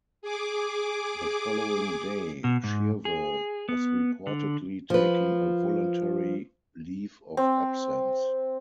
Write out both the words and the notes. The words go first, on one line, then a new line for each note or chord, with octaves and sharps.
The following day, Shirvell was reportedly taking a voluntary leave of absence.
G#4 D6
B2
G#2
G#4
B3
D3
F3 B4
C4